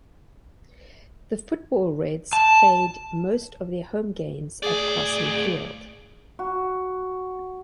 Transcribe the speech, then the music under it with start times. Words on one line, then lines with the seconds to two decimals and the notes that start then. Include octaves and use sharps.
The football Reds played most of their home games at Crosley Field.
2.33 A5
4.63 A2 G#4 D5
6.39 F#4